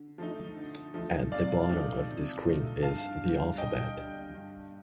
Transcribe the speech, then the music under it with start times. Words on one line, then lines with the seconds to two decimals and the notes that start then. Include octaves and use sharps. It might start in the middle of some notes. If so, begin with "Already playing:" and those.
At the bottom of the screen is the alphabet.
Already playing: D3
0.18 F3 A3 D#4
0.56 D3
0.94 F3 A3 D#4
1.32 C3 D5 F5
1.70 F3 A3 D#4
2.07 C3
2.45 F3 A3 D#4
2.82 G2 F5 A5
3.20 D3 G3
3.58 G2 D#5 G5
3.96 D3 G3
4.34 G2